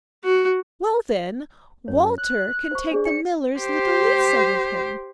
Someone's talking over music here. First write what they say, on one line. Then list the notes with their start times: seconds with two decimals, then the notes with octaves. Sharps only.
'Well, then, Walter can take the miller's little Lisa with him.
0.24 F#4
1.88 F#2 C#5
2.18 F#6
2.71 C5 C#6
2.91 D4 G#4 D5
3.05 D5 G#5 C#7
3.59 G4 C5